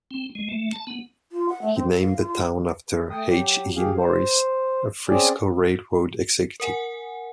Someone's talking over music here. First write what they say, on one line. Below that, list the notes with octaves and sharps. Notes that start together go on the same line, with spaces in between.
He named the town after H. E. Morris, a Frisco Railroad executive.
C4
G#3
A3
A5
B3
F4
F#5
A3
C4
A4
F5
F4
A3 G5 D#6
F#3 G4
G4 G#4 F5
C5
C4 C#4 G#4 D5
A#4 F#5 G#5